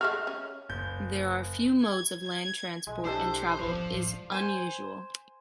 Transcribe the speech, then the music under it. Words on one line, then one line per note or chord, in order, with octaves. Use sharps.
There are few modes of land transport and travel is unusual.
G#3 A3 F#4 F6
C#4
F#1 G6
G#6
G#6
B1 G#3
D4 E4 G4 A4 C5 E5
G#1 E2 F3 C5
A2 G3
C5 G#5